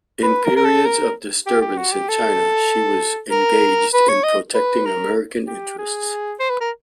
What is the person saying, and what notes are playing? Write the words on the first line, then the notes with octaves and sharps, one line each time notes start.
In periods of disturbance in China she was engaged in protecting American interests.
B4
A#4
A#4
A4
A#4
G4
G4
F#4
G4
A4
A#4
B4
C#5
D#5
B4
A#4
G4
G#4
C5
B4
A#4